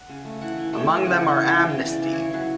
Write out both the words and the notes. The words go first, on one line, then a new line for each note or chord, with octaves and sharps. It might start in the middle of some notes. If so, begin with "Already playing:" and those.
Among them are Amnesty!
Already playing: F#5
C#3
A3
E3 F#5
E3
A3 G5
E3
C#3 F#5
C#3
F#5
B3
G5
E3
C#3 G5
C#3
D5
E3
C#5
E3
F#3 B4